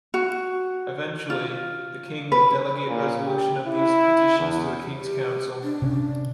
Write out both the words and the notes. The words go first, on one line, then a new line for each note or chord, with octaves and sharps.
Eventually, the King would delegate resolution of these petitions to the King's Council.
F#4
F4
B4
A#2
G4
E4
E2
G4
D4
C3 C#4